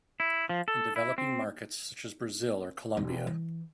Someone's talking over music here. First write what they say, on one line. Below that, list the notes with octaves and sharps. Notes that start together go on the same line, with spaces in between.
In developing markets such as Brazil or Columbia.
E4
F3
A4
E4
C4
E1 D4
E3